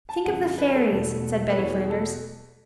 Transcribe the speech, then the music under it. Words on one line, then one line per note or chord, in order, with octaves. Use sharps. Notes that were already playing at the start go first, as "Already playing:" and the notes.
"Think of the fairies," said Betty Flanders.
A5
G#1 F#2 C#3 G#3 F#5
B4
A4
E1 E2 B2 A3
B4
E2 B2 G#3 B3 C#5
G#4
A4